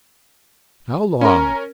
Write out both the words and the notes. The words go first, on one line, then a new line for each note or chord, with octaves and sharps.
"How long?"
C#4 A#4 A#5